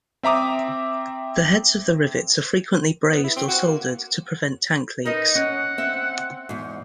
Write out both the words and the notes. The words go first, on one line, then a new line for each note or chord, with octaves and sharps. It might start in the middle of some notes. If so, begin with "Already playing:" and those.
The heads of the rivets are frequently brazed or soldered to prevent tank leaks.
C4 E5 A#5 D6 D#6
B3
E4
C4
F#4
A#3
D#4 A#4 B4 D#5
C#4 F#5
C4 E5
E2 G#2